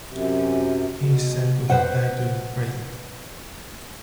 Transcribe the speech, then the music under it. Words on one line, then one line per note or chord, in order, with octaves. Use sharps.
He is said to have died during prayer.
F#2 C3
B2
B4 C5 F#5